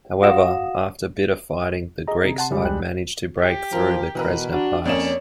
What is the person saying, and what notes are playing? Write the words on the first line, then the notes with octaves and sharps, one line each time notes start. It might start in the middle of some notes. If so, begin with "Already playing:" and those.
However, after bitter fighting the Greek side managed to break through the Kresna pass.
F#4 F5 F#5 D#6 A#6 E7
G#4 D#5 A#5
C3
F#5 A5 C6
C#3 G3 G#3
C#2 G5 F#6
G4
F3 A#4
B2 E3 A#4 B4
D4 F#4
F2 A#3 C#4 C#5 D5 E7